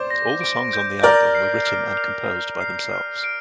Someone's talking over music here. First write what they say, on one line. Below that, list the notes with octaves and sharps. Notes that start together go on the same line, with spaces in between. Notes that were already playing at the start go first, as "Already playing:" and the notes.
All the songs on the album were written and composed by themselves.
Already playing: C5 D5 D6
A#6
D7
G6
A#4 D5 F6
C7
F6
F7
F6
C7
F6
D7